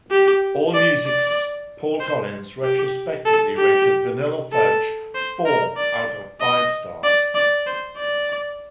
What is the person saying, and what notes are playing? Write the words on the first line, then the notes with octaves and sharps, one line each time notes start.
Allmusic's Paul Collins retrospectively rated "Vanilla Fudge" four out of five stars.
G4
D5
D5
C5
G4
A4
G4
A4
C5
A#4
D5
D#5
D5
D5
C5
D5